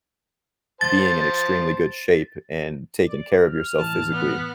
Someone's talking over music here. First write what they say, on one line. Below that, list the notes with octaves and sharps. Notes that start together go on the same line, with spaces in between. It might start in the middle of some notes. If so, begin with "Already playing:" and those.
being in extremely good shape and taking care of yourself physically.
C5 A5 A6
D5
F6
A2 E3 A5
B3